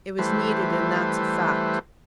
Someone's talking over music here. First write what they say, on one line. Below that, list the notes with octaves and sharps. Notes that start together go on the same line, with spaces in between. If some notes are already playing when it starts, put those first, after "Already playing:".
It was needed and that's a fact.
E3 G3 A3 B4 C5